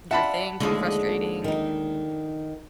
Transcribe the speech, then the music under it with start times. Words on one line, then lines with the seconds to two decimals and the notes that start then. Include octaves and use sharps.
your thing, too frustrating?
0.11 D4 F4 E5 F#5 A5 B5
0.60 D#2 D3 F3 G#3 D4
1.44 D#3 D#4